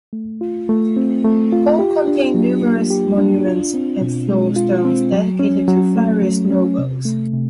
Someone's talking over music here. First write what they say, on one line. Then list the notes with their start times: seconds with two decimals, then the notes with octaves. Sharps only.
All contain numerous monuments and floor stones dedicated to various nobles.
0.13 A3
0.41 F4
0.69 A3
0.97 C4
1.24 A3
1.52 F4
1.79 G4
2.08 D4
2.34 F#3
2.62 A#3
2.90 G4
3.18 D4
3.45 F4
3.74 C4
4.01 B2
4.29 G#3
4.56 F4
4.85 C4
5.12 F#3
5.39 C#4
5.68 F#3
5.96 A3
6.23 F#3
6.51 C#4
6.78 C3
7.05 A3
7.33 C3